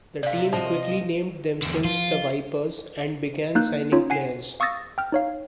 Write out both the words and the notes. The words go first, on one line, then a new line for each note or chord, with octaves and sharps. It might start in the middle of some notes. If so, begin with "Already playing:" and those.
The team quickly named themselves the Vipers, and began signing players.
C3 D5 F5
C3 F3 F4 D#5 E5
E2 D3
F3 F4
A#3 D#4 F#6 G6
C#4 D#4 F4 C#5
F#5 G#5 C7
F5 C#6 D#6 E6 A6 A#6
G5 F6
D#4 C#5 F5